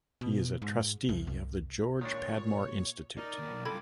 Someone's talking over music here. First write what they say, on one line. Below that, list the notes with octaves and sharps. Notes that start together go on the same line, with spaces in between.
He is a Trustee of the George Padmore Institute.
B2
G#2
C2
C2
A#2 D#3 G#3 D4 C#5
D#4 A#4 D5
D#2 B3
B1
G2 C#3 F4 A4 G5 B5 D6 G#6